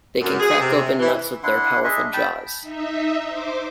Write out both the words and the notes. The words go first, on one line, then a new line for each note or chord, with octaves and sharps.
They can crack open nuts with their powerful jaws.
F#2
G#4
C3
E3
D4 E4 F#5 C6
D4 G#4 D#5 E5
G5 A5 B5
D#4 E5
C5 D6